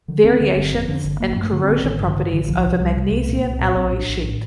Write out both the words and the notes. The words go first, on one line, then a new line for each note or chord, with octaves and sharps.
Variations in corrosion properties over magnesium alloy sheet.
D3 D#3
D2 C4
D3 C4
G1
F2
D3
G1
A1 A#3
G2
A3
D3
C4
A1
A1 D#3
G2
D3
D3
D#3
A1
C2 F3
C3
C2 G3
C3
C2 A3
A#2
A#3
C2
C4
A#2
A#1 C4
C4
A2
D4
A#1
A2 D4